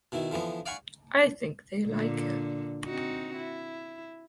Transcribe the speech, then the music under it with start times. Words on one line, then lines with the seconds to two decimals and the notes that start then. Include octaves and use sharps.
I think they like it.
0.12 B2 D#3 E4
0.31 D3 E3 F3 B3
0.66 D5 F5 F#5 G#5 B5 C#6
1.85 A#2 D3
2.85 C4 D#4 F#4
3.36 E4